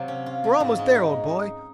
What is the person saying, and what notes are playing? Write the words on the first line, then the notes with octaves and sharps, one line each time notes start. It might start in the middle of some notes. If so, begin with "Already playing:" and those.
We're almost there, old boy.
Already playing: C3 F#3 F4
C#4
F4
F#3
G#2
G#3
D#4